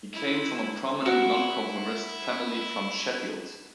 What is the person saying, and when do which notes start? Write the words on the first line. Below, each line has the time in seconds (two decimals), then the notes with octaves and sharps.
He came from a prominent nonconformist family from Sheffield.
0.14 E4
1.06 E4 F#4